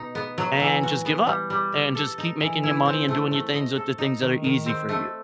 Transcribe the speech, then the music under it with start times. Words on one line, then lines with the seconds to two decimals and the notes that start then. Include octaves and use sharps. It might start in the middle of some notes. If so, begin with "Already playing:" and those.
and just give up, and just keep making ya money and doing ya things with the things that are easy for you.
Already playing: B2 D#4
0.15 B3
0.38 F#3
0.60 E3
0.83 F#4
1.05 B3
1.27 G3
1.50 G3
1.72 E5
1.95 A4
2.18 D#4
2.41 E3
2.63 E4
2.85 C4
3.08 A3
3.31 A3
3.54 D#5
3.76 A4
3.98 D#4
4.20 D#3
4.44 D#3
4.66 C4
4.89 A3